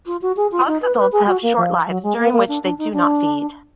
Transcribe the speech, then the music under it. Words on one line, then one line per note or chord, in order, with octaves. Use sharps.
Most adults have short lives during which they do not feed.
F4
F#4
G#4
F4
D#4
B4
B4
G#4
F#4
A#3
F3
F#3
G#3
A#3
A#3
D4
D4
D#4
D4